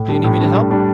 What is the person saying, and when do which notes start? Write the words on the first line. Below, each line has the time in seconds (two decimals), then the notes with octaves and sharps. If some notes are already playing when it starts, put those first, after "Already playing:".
Do you need me to help?
Already playing: A2
0.09 G3 D4
0.24 A2
0.40 G3 D4
0.56 A2
0.71 G3 D4